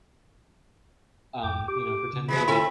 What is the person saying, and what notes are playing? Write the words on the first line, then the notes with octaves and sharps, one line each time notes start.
um, you know pretend to be that uh
F2 G5 D6
G4 D6
C#3
A#2 E3 G#3 B5
D3 C4 E4 F4 A4 E5